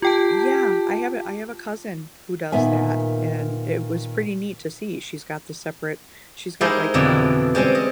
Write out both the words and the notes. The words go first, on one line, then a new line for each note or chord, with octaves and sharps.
Yeah. I have a I have a cousin who does that, and it was pretty neat to see. She's got the separate she's got, like, a
F4 G4 G5 A5
A#2 D#3 B3 E5 G#5
G#3 D#4 E4 G4 A#4 C5
F2 B2 D3 E3 D5
G3 G#3 C4 C#4 C5 G#5
D#5